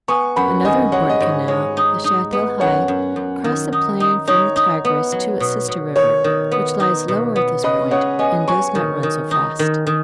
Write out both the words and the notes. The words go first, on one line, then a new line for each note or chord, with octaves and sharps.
Another important canal, the Shatt el Hai, crossed the plain from the Tigris to its sister river, which lies lower at this point, and does not run so fast.
B3 G#5 C#6
F#2 F#5 B5
D#3 D#5 G#5
G#3 C#5 F#5
D#5
G#2 C#5
G#3 C#5
D#4
D#4
B3
F#2 C#5 F#5
F#2
F#2
D#3
D#4
D#4
D#4 C#5
D#4
B3
F#3
B2
B2
D#3 C#5
D#3
B3
D#4
B2
B3
C#3 B4 D#5
C#3 C#5 F#5
B3 D#5 G#5
F#3 G#5 C#6
D#3
D#3
D#4
D#3
D#3